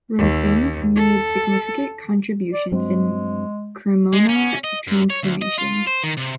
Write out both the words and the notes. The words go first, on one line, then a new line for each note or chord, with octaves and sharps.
Rosanes made significant contributions in Cremona transformations.
D#2
A4
D5
G2 F#3 G#3 C4
G#3
C#4
D#5
F#2
C#5
D2
D#5
F4
C5
D#3
C3